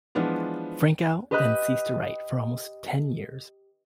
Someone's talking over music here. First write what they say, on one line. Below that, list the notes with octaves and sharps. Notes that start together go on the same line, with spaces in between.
Frankau then ceased to write for almost ten years.
E3 F3 G#3 B3 D4 F4
G4 B4 D#5 B5 F#6